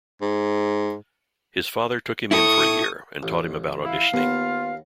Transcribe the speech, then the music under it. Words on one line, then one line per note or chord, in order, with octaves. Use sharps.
His father took him in for a year and taught him about auditioning.
G#2
E4 A4 C#6 D#6
A1
E4 F5
D#2 B3 F4 F#5